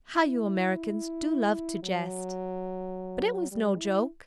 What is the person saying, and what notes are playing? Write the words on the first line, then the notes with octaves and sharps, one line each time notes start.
How you Americans do love to jest.' But it was no joke.
E4
F#3
G3
E4